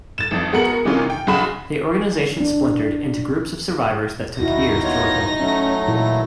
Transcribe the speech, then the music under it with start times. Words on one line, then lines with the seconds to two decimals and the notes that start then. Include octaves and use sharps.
The organization splintered into groups of survivors that took years to reform.
0.18 A6 E7
0.31 A1 F2
0.52 G#3 B3 F#4 A#4 C#7 F#7
0.85 C3 D#3 E3 A#3 C#4 F4
1.10 G5
1.27 B1 C#3 F#4 B5 C6 E7
2.40 D4
4.40 D#2 D#4 E4 F#4 A#6
4.84 B3 F4 C#5
5.39 F#3 A3 C#4
5.87 A#2 E3 E4 A4